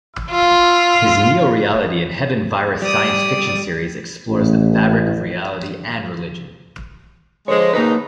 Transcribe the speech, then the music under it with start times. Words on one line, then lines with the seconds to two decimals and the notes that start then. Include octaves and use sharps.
His Neoreality and Heaven Virus science-fiction series explores the fabric of reality and religion.
0.30 F4
2.82 G3 D5 D#6
4.28 A1
7.48 D3 F3 G#3 C5 C#5
7.73 A#3 D#4 G#4 B4